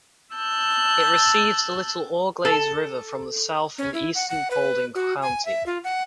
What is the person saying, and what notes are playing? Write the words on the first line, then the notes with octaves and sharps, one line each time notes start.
It receives the Little Auglaize River from the south in eastern Paulding County.
A5 E6 F#6 G6
A4
C#4
E4
F#5
F#5
B4
F#4
G#5
E5
F4
F#5